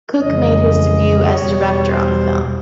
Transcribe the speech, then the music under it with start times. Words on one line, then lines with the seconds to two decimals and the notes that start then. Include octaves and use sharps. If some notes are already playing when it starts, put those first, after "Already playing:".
Cook made his debut as director on the film.
0.21 F2 C#3 E3 G#3 D#5
1.31 E2 B2 G3 C#5
1.85 C5